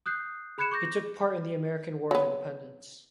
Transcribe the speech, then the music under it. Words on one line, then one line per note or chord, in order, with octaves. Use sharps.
He took part in the American war of independence.
D#6 F#6 G6 C7
G#4 B5 F#6 G#6 C#7 E7
C#6 D6 G6 A#6
F#3 B3